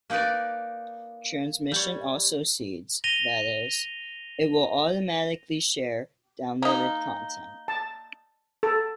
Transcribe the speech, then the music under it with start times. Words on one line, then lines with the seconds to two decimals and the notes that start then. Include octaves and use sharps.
Transmission also seeds, that is, it will automatically share downloaded content.
0.10 A#3 D#4 A#4 B4 D5
1.72 G3 C#5
3.04 A#6 D#7 F7 G7
6.62 A#3 D#4
7.68 A5
8.63 A4